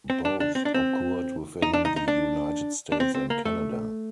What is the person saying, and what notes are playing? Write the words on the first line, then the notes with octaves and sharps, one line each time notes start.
Both occurred within the United States and Canada.
C4
D4
D4
C4
D4
C4
D#4
D4
D#4
D#4
D4
D4
C4
C4
A#3
A3